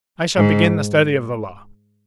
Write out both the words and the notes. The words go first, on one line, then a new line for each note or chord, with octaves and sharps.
I shall begin the study of the law.
G#2